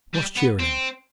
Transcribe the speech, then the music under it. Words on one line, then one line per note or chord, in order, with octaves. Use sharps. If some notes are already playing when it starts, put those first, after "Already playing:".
What's cheerin' him?
G3
B3
C4